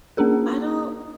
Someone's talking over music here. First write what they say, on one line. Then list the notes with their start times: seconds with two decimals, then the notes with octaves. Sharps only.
I don't
0.17 A#3 C#4 D4 G#4 A#4